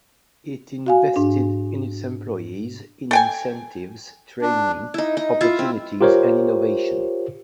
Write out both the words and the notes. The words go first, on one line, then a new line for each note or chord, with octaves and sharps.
It invested in its employees in incentives, training, opportunities, and innovation.
F#4 F5 G#5
G#2 D4
A4 G5 G#5
D4
D#4 E4
D#4
E4 F4 E5
C4
F4 G4 A#4 C5 C#5